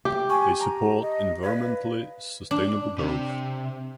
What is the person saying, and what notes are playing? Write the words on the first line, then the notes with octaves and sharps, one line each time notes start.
They support environmentally sustainable growth.
G4
G#5 C#6
A5 A#5
D#5
B4 D5 F5
D4
C3